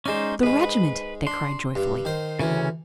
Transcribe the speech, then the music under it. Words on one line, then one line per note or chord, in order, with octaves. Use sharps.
"The regiment!" they cried joyfully.
G#3 C#4 D#4 C5 D5
G#2 G#3 B4
D4 C6
G2
D#3 C5
D2 C#3 E3 C#4